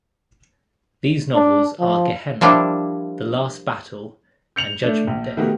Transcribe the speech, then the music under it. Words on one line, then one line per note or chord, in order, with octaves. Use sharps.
These novels are "Gehenna", "The Last Battle", and "Judgment Day".
D4
F3
F3 G3 A#3 D4 E4
G6 C#7 F7 F#7
A3 D4
A#1
D#3 A3 B3 F#4 G4 A#4